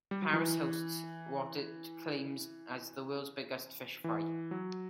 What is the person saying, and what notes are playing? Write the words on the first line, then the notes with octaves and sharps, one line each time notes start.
Paris hosts what it claims as the "World's Biggest Fish Fry".
G3
F#3
E3
E3
F#3